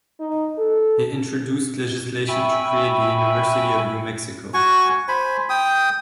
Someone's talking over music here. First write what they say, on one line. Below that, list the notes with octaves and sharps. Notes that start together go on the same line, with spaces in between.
He introduced legislation to create the University of New Mexico.
D#4
A4
E5 G5 G#5 B5 C#6 E6
F#4 G#5 C#6
C5 G#5 B5
G5 D#6